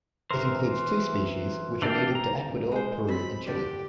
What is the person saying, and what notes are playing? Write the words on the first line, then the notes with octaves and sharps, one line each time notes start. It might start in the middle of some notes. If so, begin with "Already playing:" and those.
It includes two species, which are native to Ecuador, Peru and Chile.
E3 A#4 C5
E3 D4 D5 F5 G5
A#5
G#3 C5
C4 B5
G2 D3 G4 D5 G5